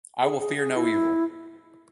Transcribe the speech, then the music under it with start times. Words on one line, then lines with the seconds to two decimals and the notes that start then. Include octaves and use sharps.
I will fear no evil.
0.23 G#4
0.40 G#4
0.58 G#4
0.76 E4